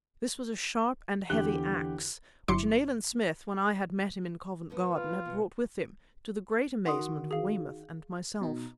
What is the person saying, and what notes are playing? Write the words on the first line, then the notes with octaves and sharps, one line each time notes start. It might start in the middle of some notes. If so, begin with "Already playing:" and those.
This was a sharp and heavy axe, which Nayland Smith, when I had met him in Covent Garden, had brought with him, to the great amazement of Weymouth and myself.
E2 D3 G4 F#6 G7
G1 F#3 E4 C6 D6 C#7
A2 D3 B3
F4
B2
D#3 F#4 F#5 C6 D#6
G#4 F5
B2 D#4